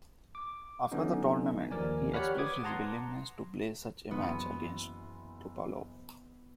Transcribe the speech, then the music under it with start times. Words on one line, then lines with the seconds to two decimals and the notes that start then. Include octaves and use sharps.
After the tournament, he expressed his willingness to play such a match against Topalov.
0.35 D6
0.92 D3 F#3 B3 C#4 D#4
1.71 D#2 F3 A#4 D5 G#5
2.14 G4 C#5 D5 F#5 B5 F6
2.38 B4 D6 D#6 G#6
2.63 F#5 A5 A#5 C6
4.11 F#1 E3 B3 C6